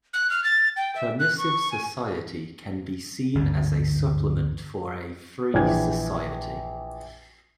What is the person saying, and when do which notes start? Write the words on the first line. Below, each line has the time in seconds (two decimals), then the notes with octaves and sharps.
Permissive society can be seen as a supplement for a free society.
0.13 F#6
0.30 F6
0.44 A6
0.76 G5
0.95 E5
1.19 F#6
1.38 C#6
1.72 G#5
3.35 G1 D2 G#2
5.54 A#1 E3 G#6